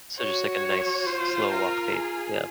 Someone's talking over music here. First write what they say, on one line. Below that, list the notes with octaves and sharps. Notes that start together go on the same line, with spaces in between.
So just, like, a nice slow walk pace, yeah.
F#4 C#5
F4 C5
A#4
G#4